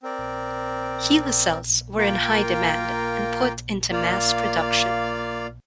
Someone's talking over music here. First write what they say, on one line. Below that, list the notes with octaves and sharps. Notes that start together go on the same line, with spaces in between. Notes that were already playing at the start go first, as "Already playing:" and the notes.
HeLa cells were in high demand and put into mass production.
C4 A#4 D5
A#3 F4 A#4 G5
A#3 F4 D5 F5